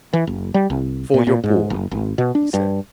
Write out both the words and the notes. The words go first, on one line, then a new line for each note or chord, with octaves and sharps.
"For your poor," he said.
E3
F#1
G3
C2
A#2
A#2
G#2
F#1
G#1
B2
D4
G2